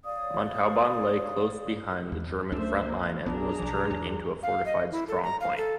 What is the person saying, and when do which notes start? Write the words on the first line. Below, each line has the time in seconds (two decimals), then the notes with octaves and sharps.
Montauban lay close behind the German front-line and was turned into a fortified strongpoint.
0.04 C#5 D5 F5 D#6
2.12 E2
2.52 C#2 A3 C#4 D4 C5 E5
2.87 A#3
3.26 B1 F2 B3 D4 G#4 A#5
3.59 B1 F3
3.91 E2 F#3
4.43 F5
4.66 D#5
4.92 E4
5.08 A4
5.23 A#5
5.41 F5
5.57 A4